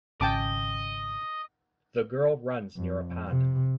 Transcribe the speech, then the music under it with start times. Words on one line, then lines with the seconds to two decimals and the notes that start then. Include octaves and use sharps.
The girl runs near a pond.
0.21 G#1 C#3 C#4 D#5 G5 A5 D6
2.77 F2
3.28 C3